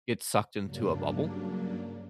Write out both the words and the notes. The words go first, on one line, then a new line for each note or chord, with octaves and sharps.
get sucked into a bubble.
G2 C#3 F#3 A#3 D4